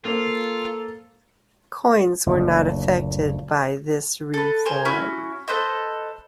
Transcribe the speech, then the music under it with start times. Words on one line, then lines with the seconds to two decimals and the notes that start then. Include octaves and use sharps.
Coins were not affected by this reform.
0.05 A#3 F4 A4 C5 F5
2.26 F#1 D2 A#2
4.34 A4 B4
4.66 A#4 C5 G#5
4.85 C#4 E4 F#4
5.48 A4 B4 C5 D#5